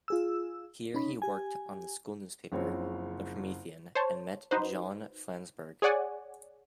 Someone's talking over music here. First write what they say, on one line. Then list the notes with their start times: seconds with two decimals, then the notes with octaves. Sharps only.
Here, he worked on the school newspaper, the "Promethean", and met John Flansburgh.
0.08 F4 G#4 E6
0.94 C#4 D#4 B5
1.22 G4 G#5
2.52 F#1 C#3 F3 C4 C#5
3.95 C5 C#5 A5
4.51 D#4 F#4 B4 C5
5.82 G#4 C#5 D5 F#5 G#5